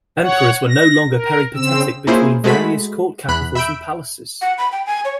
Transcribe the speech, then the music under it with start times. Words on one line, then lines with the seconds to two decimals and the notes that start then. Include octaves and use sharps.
Emperors were no longer peripatetic between various court capitals and palaces.
0.20 C#5 F#5
0.69 A#6
1.10 A#4
1.55 C#3 C4 E6
2.07 A#3 C#4 E4 F4 G#4 C5
2.44 G#3 A3 F#4 B5 B6
3.28 E2 B5 F#6
3.55 E5 B5 E6 G6 D7
4.41 F#5
4.58 B5
4.72 G5
4.87 G#5
5.05 C#5